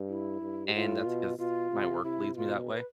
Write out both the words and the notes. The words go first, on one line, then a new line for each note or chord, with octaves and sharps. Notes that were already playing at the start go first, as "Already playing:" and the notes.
and that's because my work leaves me that way.
Already playing: G2
E4
G2
G4
A2 F4
B2
B2 F4
C3
C3 E4
B2 F4
B4